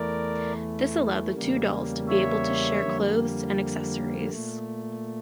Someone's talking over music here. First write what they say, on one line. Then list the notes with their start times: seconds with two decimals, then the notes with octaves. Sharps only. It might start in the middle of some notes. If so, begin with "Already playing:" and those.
This allowed the two dolls to be able to share clothes and accessories.
Already playing: E2 E3 A3 A#4 D5
1.34 E2 C#3 G3 A#3
2.08 C#5 E5
2.82 F2 D3 G3 A#3
4.30 A#2 A3